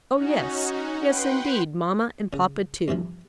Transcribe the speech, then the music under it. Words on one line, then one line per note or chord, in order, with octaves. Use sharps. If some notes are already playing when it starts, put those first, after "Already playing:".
"Oh, yes; yes indeed, mamma and papa too."
C#4 D#4 F#4
B4 F#5 G5 C6
C#3
G2 C3 E3 F3